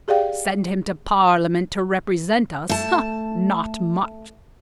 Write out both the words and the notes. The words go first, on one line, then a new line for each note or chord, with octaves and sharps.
Send him to Parliament to represent us--not much!
G4 G#4 D5 F5 G5
A3 A5